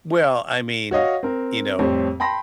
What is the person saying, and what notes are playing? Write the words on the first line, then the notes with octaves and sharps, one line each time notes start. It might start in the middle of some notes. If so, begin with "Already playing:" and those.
Well, I mean, you know.
F#4 C#5 D#5 F5
C4 A#4
F2 A2 G3 C4 C#5
G5 A5 B5 C6 A#6